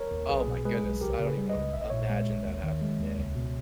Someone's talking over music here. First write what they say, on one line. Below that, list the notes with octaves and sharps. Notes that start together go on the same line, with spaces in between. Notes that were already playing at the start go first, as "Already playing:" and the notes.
Oh my goodness, I don't even wanna imagine that happen to me,
Already playing: A#4 C#5
D#2
B1 G#4 B4
B2
G#3 G#4 B4
B1
C#2 G4 A#4
C#3
G#4 B4
G3
B4 D#5
C#2
A#1 E5
D#5
A#2 C#5 E5
G#3
A#1
D#2
D#3
G#3
D#2
C#2
B2